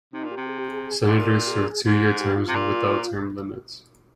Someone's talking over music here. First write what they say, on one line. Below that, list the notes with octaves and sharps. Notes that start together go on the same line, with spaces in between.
Senators serve two-year terms, without term limits.
C3 D#4
A#2
G4
C3
G#4
G4
G#4
G#2
A#2 A#4
G4
G#4
G#2 G#4
G4
F4
C3
A#2